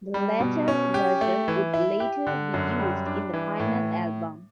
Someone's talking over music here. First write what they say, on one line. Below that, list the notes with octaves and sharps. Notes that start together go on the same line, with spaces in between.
The latter version would later be used in the final album.
G3
B2
C#4
G4
A3
E3
E4
G4
D3
F#2
G3
D4
E3
A2